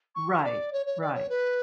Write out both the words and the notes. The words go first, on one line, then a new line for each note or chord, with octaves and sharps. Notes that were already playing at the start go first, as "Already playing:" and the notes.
Right. Right.
C#6
D5
C#5
C#5
D5
C#5
B4